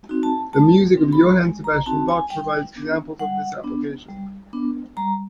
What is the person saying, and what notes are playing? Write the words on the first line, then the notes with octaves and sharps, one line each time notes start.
The music of Johann Sebastian Bach provides examples of this application.
C4 D#4 F#4
A5
G#3 A5
C4 D#4 F#4
B5
G#3
A#5
C4 D#4 F#4 A5
G#5
G3 G5
B3 D4
G3 F#5
B3 D4
G3
B3 D4
G3 A#5